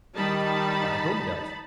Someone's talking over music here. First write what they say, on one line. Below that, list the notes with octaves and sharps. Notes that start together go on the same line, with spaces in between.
By whom built?
D#3 G3 D#4 A5 B5